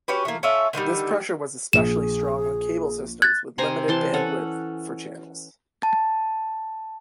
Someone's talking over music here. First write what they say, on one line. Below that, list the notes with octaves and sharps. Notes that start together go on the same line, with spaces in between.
This pressure was especially strong on cable systems with limited bandwidth for channels.
C#4 F#4 G4 B4
A3 A#3
C#4 F4 A4 E5
D3 D#3 F#3 G3
A#1 G#4 E7
F#6 G#6 A6
C3 C5 G#5 A#5
E3 A5 C6
C#4 A4 F#5
A5